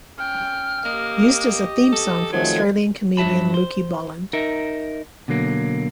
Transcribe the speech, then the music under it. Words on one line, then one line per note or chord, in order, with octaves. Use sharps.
Used as a theme song for Australian comedian Lukey Bolland.
C#4 G5 F6
A#3 G4 D#5
A4
D#3 F3 F#3 A3 C4 G#4 G#6
G2 F#3 E5 A5 B5
C5
D#4 A#4 E5
B2 D3 F#3 A#3